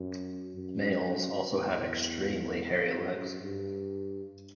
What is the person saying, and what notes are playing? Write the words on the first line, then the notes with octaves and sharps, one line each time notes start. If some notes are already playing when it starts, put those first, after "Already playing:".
Males also have extremely hairy legs.
Already playing: F#2
F#2
E2
F#2
G2